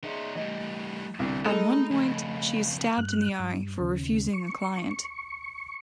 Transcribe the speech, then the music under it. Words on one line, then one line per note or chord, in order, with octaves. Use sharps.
At one point, she is stabbed in the eye for refusing a client.
C#4 D#4 G#4 E5 C6
E3 G3 A3 D#5
C2 B2 D3
G#3 A3 D#4 A4 D#5 B5
F2 C#3
G2 F#6
G2
D#2 C#3
C#6